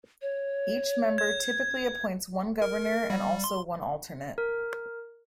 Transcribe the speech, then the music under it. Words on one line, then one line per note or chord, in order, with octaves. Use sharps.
Each member typically appoints one governor and also one alternate.
C#5
G#6
A#4
G3
C6
A#4